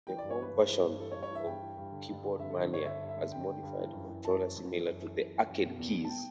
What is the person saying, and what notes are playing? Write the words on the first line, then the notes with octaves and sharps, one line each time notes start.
The Home Version of keyboardmania has Modified controller similar to the Arcade keys.
E3 G5
G2 D5
C#5
E3 B4
G2
E3
G2
E3 A4
C#5
G2
C#5
E3 E5
G2 G5
E3
G2
D3
G2
D3
G2 E5
D3 A4
G2 C#5
D3 E5
G2
E5
D3
G2 G5
D3
G2
E3
F#2
E3
F#2 A5
E3
F#2
E3
F#2
E3
F#2
E3
F#2
B2
E2
B2
A5
G5